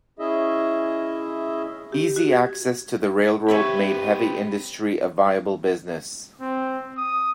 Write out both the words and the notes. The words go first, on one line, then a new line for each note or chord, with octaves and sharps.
Easy access to the railroad made heavy industry a viable business.
C#4 E4 G#4 D#5 E5
G4
F#4
G#6
C4 G4 B4 C#5 E5 B5
C4
D#6